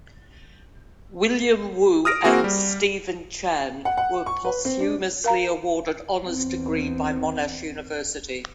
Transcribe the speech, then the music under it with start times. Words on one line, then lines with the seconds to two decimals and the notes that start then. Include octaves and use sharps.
William Wu and Steven Chan were posthumously awarded honours degrees by Monash University.
2.05 D#6 F6 A#6 D7
2.24 A#3 C4 F#4 G#4
2.44 G3
3.85 F#5
3.97 F#5
4.26 C#6
4.45 B4
4.65 C4
4.80 D4
5.24 A#4 F5 A#5
6.26 E2 C4